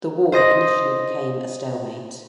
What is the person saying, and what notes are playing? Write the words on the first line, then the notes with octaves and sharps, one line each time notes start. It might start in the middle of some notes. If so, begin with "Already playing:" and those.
The war initially became a stalemate.
C5 D#5 A#6